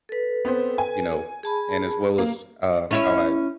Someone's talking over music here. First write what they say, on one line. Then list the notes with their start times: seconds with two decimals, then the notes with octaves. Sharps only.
You know, and as well as, um, how I
0.09 A4 B4
0.45 B3 C4 C5
0.78 G#5
1.43 G#4 A5 B5
2.18 A#3
2.91 C#4 E4 C#5